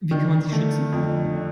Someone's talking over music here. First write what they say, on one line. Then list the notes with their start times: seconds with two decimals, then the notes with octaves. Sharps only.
Wie kann man sich schützen?
0.11 D3 D#3
0.52 A3
0.93 F2
1.33 D4